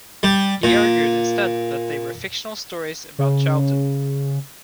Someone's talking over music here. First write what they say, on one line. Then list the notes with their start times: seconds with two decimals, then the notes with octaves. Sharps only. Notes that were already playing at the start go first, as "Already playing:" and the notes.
He argued instead that they were fictional stories about childhood.
0.23 G3
0.63 A#2
3.18 C#3